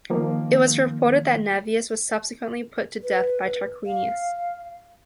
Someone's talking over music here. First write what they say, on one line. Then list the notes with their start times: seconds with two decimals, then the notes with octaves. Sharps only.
It was reported that Navius was subsequently put to death by Tarquinius.
0.10 D#3 F3 A#3
3.03 B4
3.86 F5